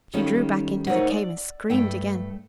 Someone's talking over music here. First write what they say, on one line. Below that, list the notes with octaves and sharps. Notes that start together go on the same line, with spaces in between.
She drew back into the cave and screamed again.
D#3 G3 C#4 D#4 F4 A4
A3 D#4 A#4 C5 C#5 F#5
D5
G2 A3 G5